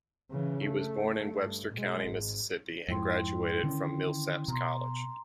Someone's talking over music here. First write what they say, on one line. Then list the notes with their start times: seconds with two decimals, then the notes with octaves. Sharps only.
He was born in Webster County, Mississippi and graduated from Millsaps College.
0.31 C#3 E3
0.65 A3
1.40 G2
1.74 B2 G#3
2.03 G#1
2.88 F2 G#2 E4 G5 C6
3.63 D3 D#3 C#4
4.48 B2 A#5 C6